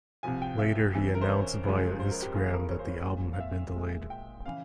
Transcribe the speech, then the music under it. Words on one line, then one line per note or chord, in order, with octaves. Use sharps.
Later he announced via Instagram that the album had been delayed.
C2 C3 F3 G#5
G5
E5
F2 C#3 E3
A#4
C5
C#5
C#2 C#3 F3 G#3
C5
A#4
G4
G2 E3 A#3 G#4
A#4
C#5
C5
C#5
A#2 G#3
F5
E5
A#2 G#3
G5
C#3 E3 F5